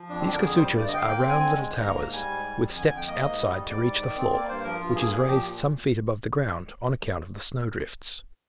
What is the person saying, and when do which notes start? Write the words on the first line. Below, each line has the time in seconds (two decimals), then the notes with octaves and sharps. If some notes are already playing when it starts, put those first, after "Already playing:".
These casuchas are round little towers, with steps outside to reach the floor, which is raised some feet above the ground on account of the snow-drifts.
Already playing: F3
0.09 F2 D4
0.19 C4
0.24 D3 D4
0.34 A#4
0.40 F2 G#4
0.56 G3 C5
0.71 G2
0.77 D5
0.87 D3 D#5
0.94 G5
0.97 F5
1.03 A#3
1.09 G5
1.19 C4 G5
1.29 G#5
1.34 D3
1.40 G#5
1.50 G#3
1.66 D3
1.81 A#3 A#5
1.97 G#2 A#5
2.13 G3 G#5
2.28 G#2
2.45 G3
2.61 F2
2.76 D3 G#5
2.87 G#5
2.92 F2
2.97 G5
3.07 A#3 D#5
3.22 G#2
3.39 G3
3.54 G#2
3.70 G3 D5
3.86 G#2
4.02 D#3
4.17 C4
4.33 A#3 D5
4.49 G2 C5
4.64 F3 A#4
4.80 G2 F4
4.95 A#3 G#4
5.11 A#2 G#4
5.27 F3 G4
5.43 A#2